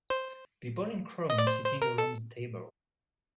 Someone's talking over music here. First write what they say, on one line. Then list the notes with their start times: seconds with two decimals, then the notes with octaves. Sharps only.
People in crowns sitting around the table.
0.10 C5
1.30 D#5
1.38 D5
1.47 C5
1.64 C5
1.82 A#4
1.98 A4